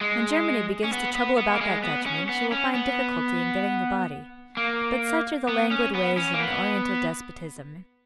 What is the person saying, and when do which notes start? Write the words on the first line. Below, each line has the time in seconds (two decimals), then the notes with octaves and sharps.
When Germany begins to trouble about that Dutchman she will find difficulty in getting the body; but such are the languid ways of an Oriental despotism.
0.01 G#3
0.84 C#4
0.93 B3
1.15 B3
1.38 B3
1.53 A#3
1.61 G#3
1.84 B3
2.06 C#4
2.29 B3
2.52 C#4
2.75 B3
4.57 A#3
5.49 B3
5.71 C#4
5.95 B3
6.17 C#4
6.34 A#3
6.40 B3